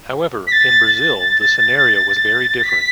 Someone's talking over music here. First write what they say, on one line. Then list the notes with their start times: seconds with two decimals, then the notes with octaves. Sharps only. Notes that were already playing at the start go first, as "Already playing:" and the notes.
However in Brazil the scenario was very different.
0.47 B6
0.52 A6
0.94 A6
2.63 B6